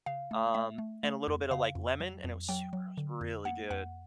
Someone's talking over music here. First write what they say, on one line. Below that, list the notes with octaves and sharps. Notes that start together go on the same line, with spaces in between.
um, and a little bit of, like, lemon, and it was super was really good.
C#3 F5
A3
A3 E5
A3
A3
F2
C#3 F5
F2
F#3
F2
F#3 G5
F#3
D3
F2
A#3 F#5
F2 F#5